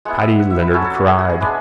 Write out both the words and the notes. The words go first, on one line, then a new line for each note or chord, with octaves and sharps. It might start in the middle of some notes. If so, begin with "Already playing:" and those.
Paddy Leonard cried.
G#3 B3 E4 F#5
E5
F#5
E5
B4
F#3 C#4 E4 A4
A4
F#4
G#4
F#4
G#4
G#3 B3 D4 B4